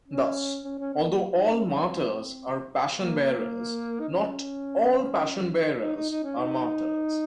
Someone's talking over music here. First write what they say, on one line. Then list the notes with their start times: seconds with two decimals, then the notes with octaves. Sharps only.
Thus, although all martyrs are passion bearers, not all passion bearers are martyrs.
0.08 C#4
0.65 C#4
0.79 C#4
0.94 C4
1.08 A#3
1.22 F#3
1.36 D#4
1.51 C#4
1.65 C#4
1.79 C4
2.94 A#3
4.00 D#4
4.09 C#4
5.81 D#4
5.96 D#4
6.10 D#4
6.24 C#4
6.38 D#4